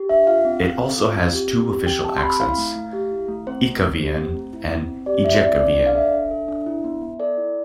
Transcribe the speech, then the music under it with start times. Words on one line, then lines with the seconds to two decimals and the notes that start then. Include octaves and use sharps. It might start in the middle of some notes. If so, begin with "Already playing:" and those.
It also has two official accents: Ekavian and Ijekavian.
Already playing: G4
0.09 D4 E5
0.27 F4 F5
0.45 C4
0.62 C4
0.81 A4
0.98 F4
1.15 C4
1.34 G4
1.51 C4
1.69 G4
1.86 C4 G5
2.05 G4 A5
2.17 C6
2.23 C4 B5
2.40 E4 F5
2.58 A3
2.76 A3
2.93 G4
3.12 E4
3.28 A3
3.47 C4 C5
3.65 A3
3.82 A3
4.00 G4
4.17 C4
4.35 A3
4.53 E4
4.71 C4
4.89 C4
5.06 G4 D5
5.24 E4 E5
5.34 C5
5.42 C4 D5
5.60 A4 D5
5.77 D4 D5
5.87 F5
5.95 A4 E5
6.13 D4
6.31 A4
6.48 D4
6.66 E4
6.84 B3
7.01 B3
7.20 A4 D5
7.38 E4